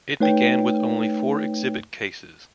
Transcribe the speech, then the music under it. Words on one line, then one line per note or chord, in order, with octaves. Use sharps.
It began with only four exhibit cases.
A3 D#4 B4 C#5 G5